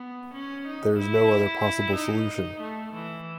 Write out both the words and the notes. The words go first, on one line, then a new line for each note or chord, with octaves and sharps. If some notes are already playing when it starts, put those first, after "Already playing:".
There's no other possible solution.
Already playing: B3
C#4
D#4
E4
D#4
A3
E3